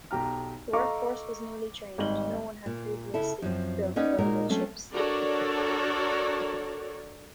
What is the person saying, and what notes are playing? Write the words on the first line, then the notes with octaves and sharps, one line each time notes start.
The work force was newly trained - no one had previously built welded ships.
B1 G4 A#5 F6
A4 D#5 F5 A#5 C#6 D6
G#1 G3 D#4 D#5 F#7 G7
A#2
C#3 E4 A4
F#2 F3 C4
A#3 C#4 D#4 B4 D5 F#5
A#2 G#3 D#4 F#4 A#4
F#3 A3 C4 C#4 A4
D4 F#4 A4 A#4 C#5 D5